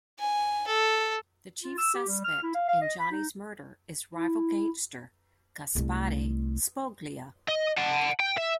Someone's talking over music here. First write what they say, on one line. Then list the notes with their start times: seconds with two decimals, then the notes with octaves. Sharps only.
The chief suspect in Johnny's murder is rival gangster Gaspare Spoglia.
0.19 G#5
0.67 A4
1.62 F4
1.78 E6
1.94 G4
2.08 G3
2.24 F6
2.43 E4
2.55 F5
2.68 F5
2.82 D#5
2.99 B5
3.11 D#4
4.15 E4
5.75 C2 A3
7.48 D#5
7.77 F#5 A5
8.20 G5
8.38 E5